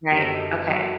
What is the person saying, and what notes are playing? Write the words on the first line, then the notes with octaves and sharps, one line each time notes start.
Right, okay.
F#1 F#2 D3 F#3 G4
A4
D#4 G4
F#2 F#3 F#4 A4